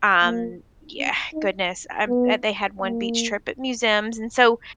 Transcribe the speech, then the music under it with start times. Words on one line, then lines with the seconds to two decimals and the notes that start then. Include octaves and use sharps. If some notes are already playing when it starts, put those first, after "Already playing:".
um, yeah Goodness, um, um, they had one beach trip at museums and so
0.23 A#3
0.97 C#4
1.34 D#4
2.08 B3
2.82 A#3